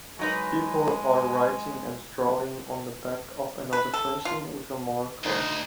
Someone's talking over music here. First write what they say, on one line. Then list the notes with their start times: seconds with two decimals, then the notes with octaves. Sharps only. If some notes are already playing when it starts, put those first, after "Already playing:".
People are writing and drawing on the back of another person with a marker.
0.19 F#3 G#3 D#4 B4
3.73 B4
3.94 A4
4.25 F4
5.24 D2 D#4